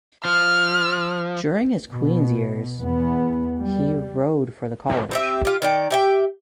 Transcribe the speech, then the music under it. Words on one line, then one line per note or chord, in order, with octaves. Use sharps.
During his Queens years, he rowed for the college.
F3 F6
B2
E2 B3
G3
C4 G4 E5
F4 G4
D#3 D5 G5
G4 E5 G5